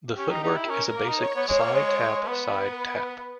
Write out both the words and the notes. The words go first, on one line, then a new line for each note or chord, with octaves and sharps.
The footwork is a basic side-tap, side-tap.
C#4 G4
D#4
D#4
E4
C#4 A#4
A#3
D#4
C#5
B3
G#3
A#3
G#3
G#3
B3 B4